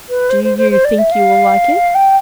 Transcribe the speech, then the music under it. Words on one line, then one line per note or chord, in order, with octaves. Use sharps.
"Do you think you will like it?"
B4
C5
C5
C5
C5
D5
E5
F5
G5